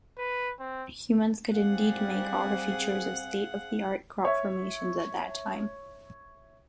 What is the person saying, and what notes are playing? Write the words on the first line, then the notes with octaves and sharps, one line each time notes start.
Humans could indeed make all the features of state-of-the-art crop formations at that time.
B4
C4
G3 C4 G#4 F5 F#5
C#5 E5